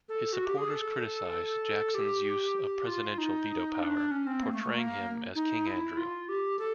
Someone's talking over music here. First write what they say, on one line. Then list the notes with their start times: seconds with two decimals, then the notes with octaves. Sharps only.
His supporters criticized Jackson's use of presidential veto power, portraying him as King Andrew.
0.09 A4
0.33 F#4
0.46 G4
0.57 G#4
0.70 A4
1.95 G4
2.87 F4
3.18 D#4
3.80 D4
4.11 C#4
4.27 C4
4.43 A#3
4.52 A3
4.63 A3
4.73 A#3
5.35 D#4
5.67 E4
5.97 F4
6.29 G4
6.59 A4